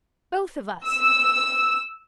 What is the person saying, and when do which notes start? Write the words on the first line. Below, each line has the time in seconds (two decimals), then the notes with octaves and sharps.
"Both of us!"
0.85 E6